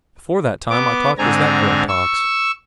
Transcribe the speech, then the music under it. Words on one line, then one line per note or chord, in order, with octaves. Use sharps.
Before that time I talked as that girl talks.
B3 D6
G#2 D3 C4 G#5 A#5
C#6 E6